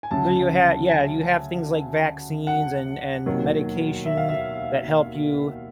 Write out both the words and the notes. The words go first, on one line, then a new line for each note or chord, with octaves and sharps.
Do you ha yeah, you have things like vaccines and and medication that help you
G#5
D2 C#3 F#3 A5
G#5
F#5
E1 D#2 D#3 F#3
E5
F5
E5